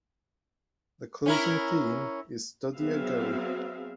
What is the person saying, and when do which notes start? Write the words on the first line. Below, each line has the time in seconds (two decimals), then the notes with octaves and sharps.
The closing theme is Study A Go!
1.26 C#4 E4 A#4
2.77 F#3 B3 C4 G#4 E5 F5